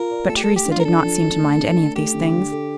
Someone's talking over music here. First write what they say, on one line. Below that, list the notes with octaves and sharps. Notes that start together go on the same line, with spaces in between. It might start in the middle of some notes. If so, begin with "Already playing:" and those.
But Theresa did not seem to mind any of these things.
Already playing: F4 A#4
D5
A3 A4
G4
A3 A4
G4
D4
F4
A#4
D4 A4
F3
D4
A3
D4
A3
A3 G4
D3
D3
A4